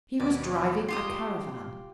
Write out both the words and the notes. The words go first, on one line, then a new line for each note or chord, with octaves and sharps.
He was driving a caravan.
D#2 B2 D5
F4 G4 D#6 C7